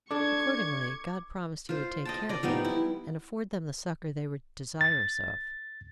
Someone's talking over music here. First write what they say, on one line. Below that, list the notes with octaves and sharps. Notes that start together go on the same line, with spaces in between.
Accordingly God promised he would take care of them, and afford them the succor they were desirous of.
D4 A4 C#6 D6 G#6
F4 C5
D#5 G5 A5
D5 D#5
F3 G3 B3 D#4
E4
A6